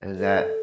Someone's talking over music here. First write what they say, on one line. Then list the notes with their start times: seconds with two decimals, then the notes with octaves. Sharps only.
and that
0.17 A4